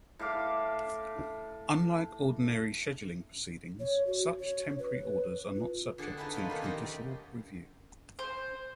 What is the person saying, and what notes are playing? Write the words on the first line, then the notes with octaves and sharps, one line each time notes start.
Unlike ordinary scheduling proceedings, such temporary orders are not subject to judicial review.
A2 A4 F5 D6
C#5
F#4
C#5
B4
B4
F4
D3 G#4 A4 F#5 A5
D#4 E4 G#4 A4 B4 F#5
F3 C#4 F4 B4
C3 D#3 A#3
C4 F#4 G4 A4 F5 G#5
C5